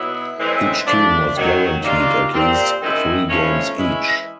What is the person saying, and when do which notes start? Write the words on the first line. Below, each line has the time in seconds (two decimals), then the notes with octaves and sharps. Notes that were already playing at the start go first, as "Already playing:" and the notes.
Each team was guaranteed at least three games each.
Already playing: B2 F#3 B3 E4
0.37 A2 E3 G#3 C4
0.86 F3 A3 D4
1.35 F#2 D#3 F#3
1.83 D#3 G3 A#3 D4 F4
2.31 A#2 G3 C4
2.81 F#2 D#3 G#3 C4 E4
3.29 A2 F3 G#3 C#4
3.77 E3 G#3 C#4 E4